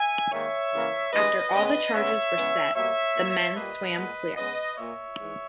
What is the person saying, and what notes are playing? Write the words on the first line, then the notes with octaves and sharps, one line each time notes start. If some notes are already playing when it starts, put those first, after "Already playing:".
After all the charges were set, the men swam clear.
Already playing: E5 G#5
G#2 D#3 A#3 C#5 E5
C#3 E3 A#3
G2 E3 G#3 B4 D#5
C#3 G#3 B3 B4 D#5
C#3 G#3 B3 C#5 E5
C#3 E3 G#3 B3
B2 G3 A#3 C#5 E5
A#2 A#3
A#2 G3 A#3 B4 D#5
A#2 G#3 B3
C#3 G#3 B3 B4 D#5
A#2 A#3 C#5 E5
G#2 E3